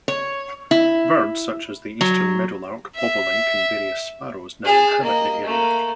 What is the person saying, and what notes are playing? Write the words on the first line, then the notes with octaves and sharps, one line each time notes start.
Birds such as the Eastern meadowlark, bobolink, and various sparrows now inhabit the area.
C#5
E4
F#3
E5
G#4 A5
A#3 D#5
A3 A#3